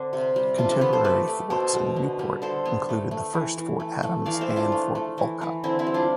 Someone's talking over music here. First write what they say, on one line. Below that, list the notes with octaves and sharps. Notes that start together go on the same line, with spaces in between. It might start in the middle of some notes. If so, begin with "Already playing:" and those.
Contemporary forts in Newport included the first Fort Adams and Fort Wolcott.
Already playing: D3 C4 D4
C3
G3
C3 D4 F4
F4 A4
B3 G4 B4
A4 C5
A3 G4 B4
A3
B2 A4 C5
B2
D3
G3
D3 A4 C5
B3
A3
A3
E3
E3
A3
A3
E3 D5 F5
C5 E5
E3
D4 F4
A3
A3
E3
E3
D3 C4 E4
C4 E4
G3
D4 F4